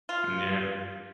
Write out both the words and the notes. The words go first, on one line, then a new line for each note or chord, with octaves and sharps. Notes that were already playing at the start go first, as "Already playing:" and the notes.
Mm, yep.
F4